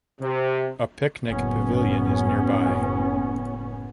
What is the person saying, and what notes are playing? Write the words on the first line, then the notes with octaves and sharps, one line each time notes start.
A picnic pavilion is nearby.
C3
F#1 A2 B3 C#4